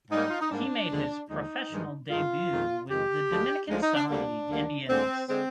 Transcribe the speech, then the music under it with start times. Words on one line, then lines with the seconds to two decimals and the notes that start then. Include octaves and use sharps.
He made his professional debut with the Dominican Summer League Indians.
0.11 G#2 G3 A#3 D#4
0.30 F4
0.41 D#4
0.51 G#2 G3 A#3 D4
0.90 D#2 D3 F3 G#3
1.30 D#2 D3 F3 G#3 D#4
1.71 G2 D#3 G#3
2.09 G2 D#3 G#3 F4
2.50 F2 D#3 G#3
2.89 F2 D#3 G#3 G4
3.30 D2 D3 F3 G#3
3.69 D2 D3 F3 G#3
3.82 D#4
3.95 D4
4.08 D2 D3 G3 A#3 D4
4.49 D2 D3 G3 A#3
4.88 D2 D3 G#3 C4
5.27 D3 G#3 C4